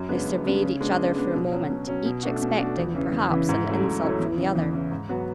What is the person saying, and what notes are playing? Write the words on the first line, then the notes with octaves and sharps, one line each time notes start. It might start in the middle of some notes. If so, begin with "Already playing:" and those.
They surveyed each other for a moment; each expecting, perhaps, an insult from the other.
Already playing: F#2
C#3 G#3 B3 D4
F#2
C#3 G#3 B3 D4
C#3
G#3 B3 D4
C#3
G#3 B3 D4
B2
F#3 C#4
B2
F#3 C#4
B2
A3 D4 F#4
B2
A3 D4 F#4
E2
C#3 E3
E2
C#3 E3
G#2
F#3 A3 C#4 E4
G#2
F#3 A3 C#4 E4
E2
C#3 E3
E2
C#3 E3
G#2
F#3 B3 F#4